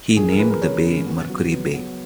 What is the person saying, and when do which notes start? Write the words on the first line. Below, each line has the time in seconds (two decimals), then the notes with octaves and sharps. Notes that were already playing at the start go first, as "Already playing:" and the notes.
He named the bay Mercury Bay.
0.17 F3 G#4
0.28 A#4
0.39 A#3 B4
0.50 A#4
0.62 C#4 C#5
0.84 C#3
1.07 B3
1.30 F#3
1.52 B3
1.74 B3